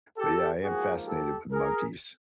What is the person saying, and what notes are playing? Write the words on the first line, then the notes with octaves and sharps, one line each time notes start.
but, yeah, I am fascinated with monkeys.
G4 A4
G#2 F3 A#3 F#4 G#4
G4 A4
G#4 A#4